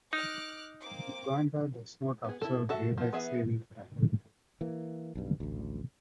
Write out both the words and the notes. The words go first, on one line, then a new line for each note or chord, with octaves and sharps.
Uganda does not observe daylight saving time.
D#4 D6 F6 F#6
A#3 C4 D6
B3 G#4
E4 A4
F#4 A4 E5
F3 B3
E3 B3 G#4 E5
E3 A#3
B1 G2
A1 D2